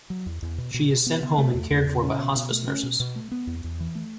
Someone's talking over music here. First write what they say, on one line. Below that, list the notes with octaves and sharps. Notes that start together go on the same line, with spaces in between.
She is sent home and cared for by hospice nurses.
F#3
E2
E2
B2
B2
B2
B3
B3
A3
E2
E2
C#3
C#4
B2
B2
A3
C#4
B2
B2
A3
B3
E2
E2
E3
A3